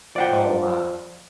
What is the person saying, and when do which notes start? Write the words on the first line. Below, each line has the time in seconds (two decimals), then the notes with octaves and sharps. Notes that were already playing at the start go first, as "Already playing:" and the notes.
Oh my.
0.16 F3 D5 F#5 G5